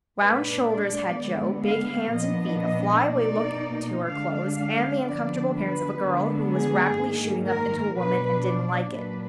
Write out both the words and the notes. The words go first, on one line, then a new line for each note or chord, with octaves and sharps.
Round shoulders had Jo, big hands and feet, a flyaway look to her clothes, and the uncomfortable appearance of a girl who was rapidly shooting up into a woman and didn't like it.
A#2 G#3 D4 B4
D5
D3 G#3 B3
F5
A#2 F3 B3 D4 D#5
D#5
B2 A#3 D#4 D5
D3 G#3 D4 F5
F5
D3 F3 B3 D4 D5
B4
D3 G#3 B3 D4
G#4
G#2 D#3 A#3
A#4
B2 F#3 D4 B4
D5
A#2 F#3 D4 B4